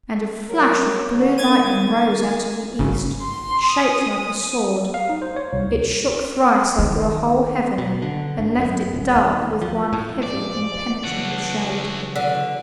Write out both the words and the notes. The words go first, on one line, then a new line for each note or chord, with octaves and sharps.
And a flash of blue lightning rose out of the East, shaped like a sword; it shook thrice over the whole heaven and left it dark with one heavy, impenetrable shade.
F#3 A#4
D3 C#5
D#3 A#3 G#6 A6 D#7
G#1 C#3 A3
C6
D#6
F5
D#4
C5
C#5
C2
D2
D#3
B2
D3
G#1
F#2
D#1
D#2
F3
A2
F3 G#3 D5
C#3 E3 F#3 A3 F#5
D3